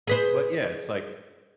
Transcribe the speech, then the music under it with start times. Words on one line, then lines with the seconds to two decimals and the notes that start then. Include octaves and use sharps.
Eh but yeah, it's, like,
0.07 G#4 B4 C5